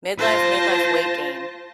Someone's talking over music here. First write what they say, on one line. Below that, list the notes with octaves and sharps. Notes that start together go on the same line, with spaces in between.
Midlife, midlife weight gain.
F4 C5 A5 A#6